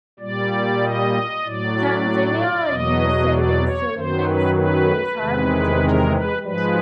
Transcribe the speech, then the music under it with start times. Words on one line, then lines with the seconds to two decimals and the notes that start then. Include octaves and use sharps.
Tanzania used savings to eliminate school fees, hire more teachers, and build more schools.
0.20 A#2 G3 D5
0.82 D#5
1.44 A2 F#3 D5
2.69 E2 B2 F#3 D#5
3.31 D5
3.62 C#5
3.93 F#2 D#3 F#3 C5
4.24 B4
4.55 B4
5.17 E2 C3 D#3 G#3
5.80 A#4
6.11 B4
6.42 G#2 F3 G#3 B4